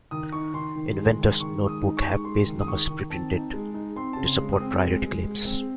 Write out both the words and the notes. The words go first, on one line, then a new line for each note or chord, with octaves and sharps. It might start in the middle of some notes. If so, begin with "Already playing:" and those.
Inventor's notebooks have page numbers preprinted to support priority claims.
D#3 D#6
D#4 C#6
D#3 C6
D#3
G#3
D#3
D#3 C#6
G#3
D#6
D#4
C#6
G#3
G#3 C6
D#3
D#6
D#3 C#6
D#3
C4 A5
D#4
G#3
D#4
C4 C6
C#3 A5
C6
G#3
D#6
C4
G#3
G#3
G#3
C4